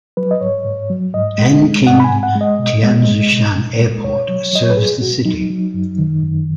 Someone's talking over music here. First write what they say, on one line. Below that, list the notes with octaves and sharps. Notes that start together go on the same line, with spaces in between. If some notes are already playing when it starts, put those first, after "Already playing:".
Anqing Tianzhushan Airport serves the city.
F#3 B4
D#5
G#2 C#5
G#2
F#3
G#2 D#5
G#3
G#3
G#2 F#5
B5
G#5
G#2
F#5
G#3
D#5
B2
G#3
G#3
B2
B2
G#3
B2 C#5
F#3
F#3 D#5
C#5
B4
B2 G#4
B2 F#4
F#3 D#4
F#3
F#2
D#3
F#2